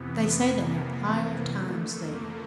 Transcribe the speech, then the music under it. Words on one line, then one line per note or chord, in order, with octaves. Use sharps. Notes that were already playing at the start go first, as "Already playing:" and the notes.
They say they have high old times there.
Already playing: F2 C3 E3 B3
A#3
A#3
A#3
F2 D3 A3
A#3